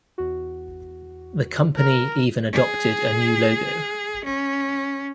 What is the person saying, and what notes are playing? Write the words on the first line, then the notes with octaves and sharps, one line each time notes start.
The company even adopted a new logo.
E2 F#4
A#4
G#4
C#4